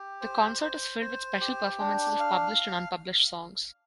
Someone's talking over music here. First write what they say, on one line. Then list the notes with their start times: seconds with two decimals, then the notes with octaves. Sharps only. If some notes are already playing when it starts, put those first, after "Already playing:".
The concert is filled with special performances of published and unpublished songs.
Already playing: G4
0.21 C5
0.62 C5
1.01 C5
1.40 G4
1.80 D4
2.20 F5